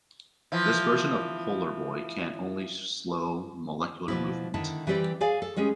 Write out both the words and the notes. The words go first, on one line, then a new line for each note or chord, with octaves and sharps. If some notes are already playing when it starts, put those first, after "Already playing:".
This version of Polar Boy can only slow molecular movement.
E3 F3
B2 F3 E4
D3 D#3 E4 A5
E3 G3 C4 G4 D5
G#4 D5 F5 G#5
A4
G3 G#3 C#4 G#4